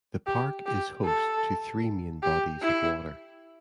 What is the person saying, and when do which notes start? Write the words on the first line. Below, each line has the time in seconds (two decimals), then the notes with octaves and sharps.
The park is host to three main bodies of water.
0.27 G4
0.66 G4
1.05 A4
2.23 G4
2.62 E4